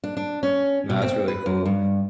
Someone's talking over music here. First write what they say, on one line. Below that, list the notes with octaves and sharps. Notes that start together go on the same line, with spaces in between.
Nah, that's really cool.
D4
D4
C#4
B2
C4
B4
F#2
G2